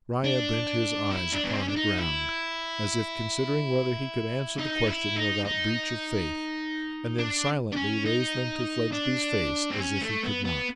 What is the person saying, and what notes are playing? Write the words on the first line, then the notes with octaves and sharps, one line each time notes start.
Riah bent his eyes upon the ground, as if considering whether he could answer the question without breach of faith, and then silently raised them to Fledgeby's face, as if he could not.
D4
E4
D4
B3
C4
C#4
D4
D#4
E4
D#4
E4
D#4
D#4
D4
D4
C#4
D#4
D4
C4
C#4
A3
B3
B3